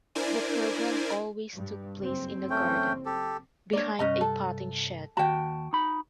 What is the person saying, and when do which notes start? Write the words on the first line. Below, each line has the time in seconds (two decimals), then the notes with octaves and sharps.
The programme always took place in a garden, behind a potting shed.
0.15 D4 E4 A#4 C5 D5 G#5
1.54 G2
1.99 F#1 C4
2.50 A3 C#4 G5
3.06 G4 A4
3.73 A#3 D4 C#5 D5
3.99 C2 G2 C#4 D#5 A#5
4.21 A4
5.17 D#2 D#3 F#4 G5 A5
5.73 D#4 B5